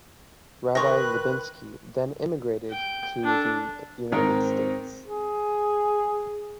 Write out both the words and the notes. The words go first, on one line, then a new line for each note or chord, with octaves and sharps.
Rabbi Lubinsky then emigrated to the United States.
D#3 A#4 B4 G5 C6 C#6 F#6 A#6
G5
D4 A4
G#2 D#3 C4 A#4
G#4